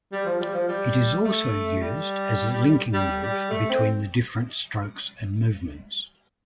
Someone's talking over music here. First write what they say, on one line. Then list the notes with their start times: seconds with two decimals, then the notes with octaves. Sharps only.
It is also used as a linking move between the different strokes and movements.
0.12 G3
0.26 F3
0.40 G3
0.54 F3
0.68 G3
1.25 A3
1.81 G3
2.93 G3
3.23 G3
3.50 A3
3.69 C4